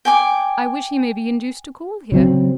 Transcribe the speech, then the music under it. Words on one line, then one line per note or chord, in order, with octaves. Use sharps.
I wish he may be induced to call here.
G5 G#5 D6
C#3 F#3 C4